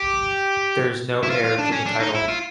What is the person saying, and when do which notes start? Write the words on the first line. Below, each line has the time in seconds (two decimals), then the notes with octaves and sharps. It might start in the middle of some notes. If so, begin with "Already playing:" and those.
There is no heir to the title.
Already playing: G4
1.23 E4
1.30 F4
1.44 F4
1.58 D4
1.72 C#4
1.86 D4
2.00 D#4
2.14 E4
2.28 F4